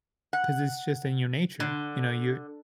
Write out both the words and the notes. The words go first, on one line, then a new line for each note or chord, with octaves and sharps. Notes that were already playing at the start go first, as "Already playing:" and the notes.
'Cause it's just in your nature, you know, you're
F#5
D3